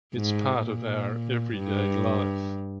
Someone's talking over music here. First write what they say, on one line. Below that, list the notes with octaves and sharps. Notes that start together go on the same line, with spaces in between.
It’s part of our everyday life.
G#2
A#2
G2